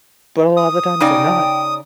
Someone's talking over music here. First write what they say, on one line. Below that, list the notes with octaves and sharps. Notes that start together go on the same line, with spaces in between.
But a lotta the times they're not.
D#6
C#3 D#4 D5 G5